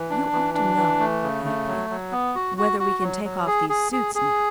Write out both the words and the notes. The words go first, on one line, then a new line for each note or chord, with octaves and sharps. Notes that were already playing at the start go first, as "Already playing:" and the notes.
"You ought to know"--he appealed--"whether we can take off these suits now."
Already playing: E3
D4
E3
D4
E3
A3
C#3
A3
F#3
F#3
B3
F#4
F#4
F#4
F#3
F#3
G#4
G#4
G#4
G#4